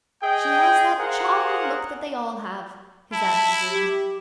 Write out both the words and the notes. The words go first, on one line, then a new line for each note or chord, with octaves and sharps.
"She has that charming look that they all have," his aunt resumed.
G#4 D#5 G5
G#4 A#4 C5 F5 F#5
E4 A5
G4